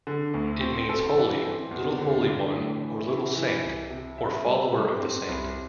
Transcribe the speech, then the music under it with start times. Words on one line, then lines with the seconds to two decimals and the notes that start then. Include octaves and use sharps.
It means "holy", "little holy one" or "little saint", or "follower of the saint".
0.07 D3
0.34 D2
0.61 C4
0.89 A4
1.17 E3
1.44 C4
1.71 E2
1.98 D3
2.26 D3
2.54 A2
2.81 E3
3.08 E4
3.35 E3
3.63 C2
3.90 C3
4.18 E5
4.45 G3
4.73 G3
5.00 C4
5.28 C2